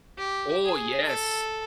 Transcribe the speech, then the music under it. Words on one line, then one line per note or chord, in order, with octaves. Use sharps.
Oh, yes.
G4
G#4
A4